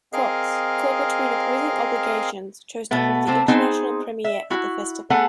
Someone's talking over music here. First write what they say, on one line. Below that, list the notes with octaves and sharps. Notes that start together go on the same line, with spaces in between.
Cox, caught between opposing obligations, chose to hold the international premiere at the festival.
C4 G#4 A#4 D#5 F5
B2 A3 B3
C3 A3 C4
B3 C4 D#4 G#4 C5
E5
E4 F#4
A3 B3 G#4 A4 B4 F#5